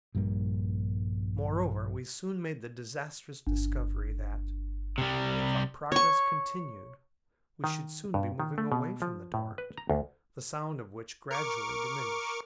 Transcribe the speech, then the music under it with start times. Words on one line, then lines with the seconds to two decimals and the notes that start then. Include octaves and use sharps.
Moreover, we soon made the disastrous discovery that, if our progress continued, we should soon be moving away from the torrent, the sound of which gradually diminished.
0.15 A#1 G2 G3 A#3
3.47 G1
4.98 C3 G3
5.92 C#5 C#6
7.64 D#3
8.14 G2
8.40 D#3
8.58 A3
8.72 B2
9.02 F3
9.34 A2
9.58 B4
9.78 A#5
9.90 D2
11.31 A#4 C#6 D6